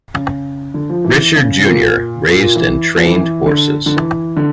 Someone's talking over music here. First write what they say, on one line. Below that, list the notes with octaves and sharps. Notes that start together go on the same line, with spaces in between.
Richard Junior raised and trained horses.
C#3
D3
F3
E3
C#3
C#3
A#2
A#2
A#2
E3
F3
E3
E3
D3
D3
E3
D3